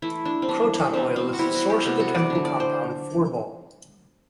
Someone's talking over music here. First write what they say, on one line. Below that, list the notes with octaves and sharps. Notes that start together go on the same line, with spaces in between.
Croton oil is the source of the chemical compound phorbol.
E3 A3 E4
D4
C4
E3 G3 B3 D4
E3 G3 B3 C4
C4
F#4
E3 G3 B3 E4
F#4
G4
C3 G3 B3 F#4
F#4
D5
D3 A3
D5
C5